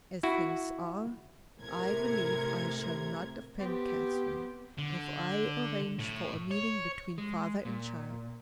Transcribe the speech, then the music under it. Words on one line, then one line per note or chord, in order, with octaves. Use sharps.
As things are, I believe I shall not offend Catherine, if I arrange for a meeting between father and child.
E4 F#4
A2 C3 A#4 G#6
B3 C4 G4
D3
A2
C#5
G#3
A#2